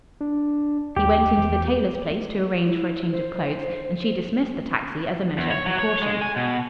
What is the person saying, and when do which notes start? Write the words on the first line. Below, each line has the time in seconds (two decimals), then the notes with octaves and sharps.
He went into the tailor's place to arrange for a change of clothes, and she dismissed the taxi as a measure of precaution.
0.21 D4
0.96 D#2 G4
1.37 E2
2.66 E4
3.11 C5
5.38 E2
5.51 C#5
5.66 F#3
5.79 C#5
6.03 G#3
6.21 G#5
6.36 B2